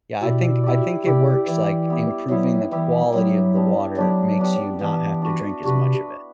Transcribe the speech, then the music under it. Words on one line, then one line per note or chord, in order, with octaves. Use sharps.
yeah, I think I think it works, like, improving the quality of the water makes you not have to drink as much of it.
B2 E4 G4 D5
E4 G4 D5
C3 E4 G4 D5
E3 E4 G4 D5
G3 B3 E4 G4
F#3 G3 B3 E4 G4
E3 G3 B3 E4 G4
F#3 G3 B3 E4 G4
B3 D4 G4
F#3 B3 D4 G4
B3 D4 G4
E3 B3 D4 G4
D4 F#4 B4
C3 D4 F#4 B4